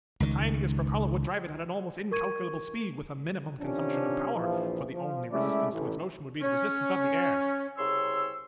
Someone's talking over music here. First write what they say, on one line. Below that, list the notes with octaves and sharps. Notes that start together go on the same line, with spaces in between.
The tiniest propeller would drive it at almost incalculable speed with a minimum consumption of power, for the only resistance to its motion would be the resistance of the air.
C#2 D#3
A#4 C#6 G#6 D#7
C3 D#3 F3 C#4 D4
A#1 E3 F3
F3
G#3 A3 C#4 E4 D5 E5
A1
C#4
C2 C#3 C#5 C6 E6